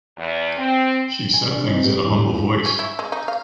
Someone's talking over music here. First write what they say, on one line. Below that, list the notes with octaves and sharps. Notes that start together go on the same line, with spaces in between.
She said things in a humble voice.
E2
C4
G#5
C3 D4
E3 C4 D#4
B3 G4 B4
E2 D3 G3
E2 A#2
C#4
E4
G#3
D#4
F5